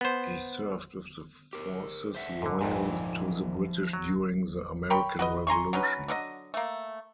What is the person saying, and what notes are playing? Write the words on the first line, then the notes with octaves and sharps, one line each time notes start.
He served with the forces loyal to the British during the American Revolution.
B3 C5
G4 A#4
C5 E5 F#5
G#2 D3
A#1 F2 G#2 F3 D#4 G#5
F#3
A#4 C#5 G5 B5
F#4 B4 D#5
G#5 A#5 C6 C#6
F#3 C#4 D#4 B4
D3 F#3 A#4 D#5
A3 A#3